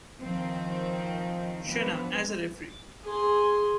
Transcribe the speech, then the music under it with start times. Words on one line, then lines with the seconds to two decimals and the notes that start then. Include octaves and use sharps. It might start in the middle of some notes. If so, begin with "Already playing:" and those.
Shena as a referee.
0.18 D#3 F3 C4 D#4
1.67 F3 B3 C4 D4 B4
3.05 G#4 C6